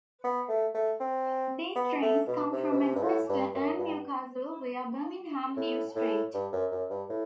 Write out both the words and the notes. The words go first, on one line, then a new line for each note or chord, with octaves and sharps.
These trains come from Manchester and Newcastle via Birmingham New street.
B3
A3
A3
C4
B3
A3
B2
C3
B2
C3
G2
A2
G2
F#2
G2
A2
A2
G2
F#2
F#2
G2
A2